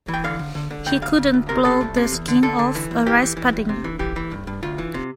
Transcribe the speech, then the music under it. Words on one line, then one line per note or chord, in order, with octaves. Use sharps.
He couldn't blow the skin off a rice pudding.
E3
G5
D3 F5
D3
D3
D3
D2 G5
D2 F5
D2
D2
C3 A#4
C3 A4
C2
C3
E2
D3
D3 A4
D3
E3
E2
E3 G4
E3
E3
E2
C3
E3
E3 G4
E3
G2
G2
D2 F4
E3
C3